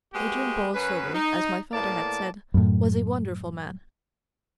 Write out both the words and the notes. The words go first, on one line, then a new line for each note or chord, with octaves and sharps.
Adrian Borlsover, as my father had said, was a wonderful man.
G#3 A#3 B3 F#4 G4
F#2 C#4 B4
D#4
A2 A#3 B3 D5 A5
F#2 A2